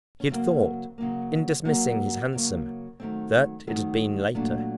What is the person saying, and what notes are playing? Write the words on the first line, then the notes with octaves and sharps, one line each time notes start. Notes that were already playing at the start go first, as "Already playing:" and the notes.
He had thought, in dismissing his hansom, that it had been later.
C#4
C#3 F#3 A#3 C4
C#3 F#3 A#3
C#3 F#3 A#3 C#4
C#3 F#3 A#3
D#3 F#3 A3 C4
D#3 F#3 A3 C4
A#2 F#3 A3 D4